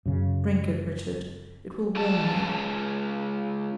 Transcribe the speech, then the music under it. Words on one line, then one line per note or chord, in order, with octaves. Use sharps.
"Drink it, Richard, it will warm you."
F#2 C#3
C#2 A5